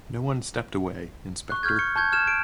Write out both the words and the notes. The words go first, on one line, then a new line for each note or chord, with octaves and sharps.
No one stepped away, inspector.
C#6 F#6
C#6 F6 G6 G#6
C#6 C#7
A5 C#6 G6 G#6
F6 G#6 E7
D7